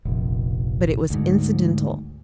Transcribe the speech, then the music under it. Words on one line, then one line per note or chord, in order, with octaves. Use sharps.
But it was incidental.
F1 A#1
D2 G#2